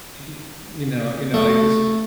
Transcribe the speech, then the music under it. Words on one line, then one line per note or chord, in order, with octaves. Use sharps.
y y you know you know, I just
A3